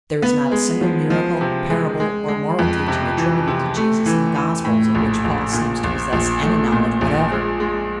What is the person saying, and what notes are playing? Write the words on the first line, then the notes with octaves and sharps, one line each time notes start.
There is not a single miracle, parable or moral teaching attributed to Jesus in the Gospels of which Paul seems to possess any knowledge whatever.
B3
G#3
F3
F3
C3
G#3
G#3
G#3
F2
C3
E3
C3
A3
E3
E3
A2
A#1
A#1
A#2
A#1
A#1
A3
A#2
A#1
G#3
G#3